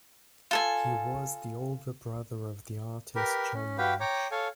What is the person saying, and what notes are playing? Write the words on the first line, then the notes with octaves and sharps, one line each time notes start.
He was the older brother of the artist John Nash.
F4 A4 G#5
G4 A#4 B4
C#4
F#4 G4 B4 F5 G5
C#5 G5 A#5 D6
A4 C#5 F5 G#5